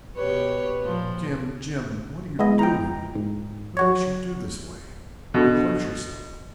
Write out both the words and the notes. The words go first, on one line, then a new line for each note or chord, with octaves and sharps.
"Jim--Jim--what are you doing--what makes you do this way--you'll hurt yerself."
B2 G4 B4 C#5
A#2 F3
G#3 B3 E4 D#5
G5 A#5
G#2
F#3 F#4 C#5
B2 D3